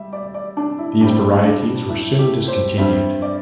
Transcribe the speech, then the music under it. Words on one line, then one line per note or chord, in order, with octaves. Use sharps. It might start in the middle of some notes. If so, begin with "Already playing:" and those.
These varieties were soon discontinued.
Already playing: G3 E5
D5
D5
D4
E4
A2 G3 C4 D4
D4
E4
G4
C5
G2 G3 C4 E5
D5